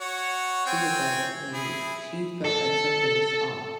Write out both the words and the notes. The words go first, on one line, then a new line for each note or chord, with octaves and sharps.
she was like, "mm" she felt like something was off,
F#4 C#5
C4 G5 G#5
E4 G#4
A4